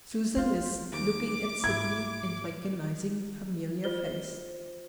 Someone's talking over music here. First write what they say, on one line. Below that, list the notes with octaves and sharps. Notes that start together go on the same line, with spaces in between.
Susan listened, looking at Sydney and recognizing the familiar face.
D4 F4 C5
D#2 D6
G#2 E4 G#6
F4 C5 G7